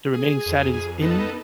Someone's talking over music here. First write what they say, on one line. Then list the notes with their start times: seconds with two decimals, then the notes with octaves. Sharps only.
the remaining Saturdays in
0.14 G#4
0.46 F2
1.02 B3 D#4 A4